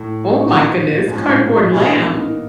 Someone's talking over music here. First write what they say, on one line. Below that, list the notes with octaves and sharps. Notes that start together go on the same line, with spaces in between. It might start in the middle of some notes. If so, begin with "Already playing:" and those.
Oh my goodness, Cardboard Lamb?
Already playing: A2
A#2 F#3 B3 D#4 F#4
G#2 F3 G#3 C#4
A2
A#2
B2 E3 G#3 C#4 E4 G#4
A#3
B3
D#4
A#3